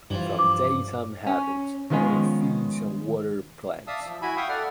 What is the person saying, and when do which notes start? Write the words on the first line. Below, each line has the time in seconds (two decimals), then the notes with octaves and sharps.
From daytime habits, it feeds on water plants.
0.10 G2 E3 F3
0.39 D6
1.27 C#4
1.90 D#3 F3 G#3 B3 C#4
3.87 D5 E5 F5 A5 D#6 E6
4.04 F3
4.22 E4 F#4 E5 G#5 B5
4.37 E5 F5 G5 C#6 D#6
4.49 A4 D5 F#5 F6